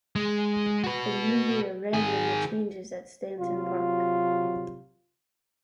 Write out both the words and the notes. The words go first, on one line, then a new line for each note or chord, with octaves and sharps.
The New Year rang in the Changes at Stainton Park.
G#3
F#4 B4
D#3 G#4
C3 F#3 F4